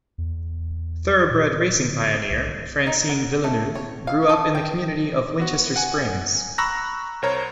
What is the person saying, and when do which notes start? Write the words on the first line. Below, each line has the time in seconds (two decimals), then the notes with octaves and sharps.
Thoroughbred racing pioneer Francine Villeneuve, grew up in the community of Winchester Springs.
0.18 E2
1.30 A#2
1.80 D3
2.31 C2
2.87 D#4
3.09 F#5
3.44 A3
3.75 C#5
4.07 F5
4.29 A4
4.55 G5
5.39 B3 F#4
5.76 F#5 G#5
6.58 A#5 B5 C#6 E6 F#6 A#6
7.22 C2 A#4 C5 C#5 A#5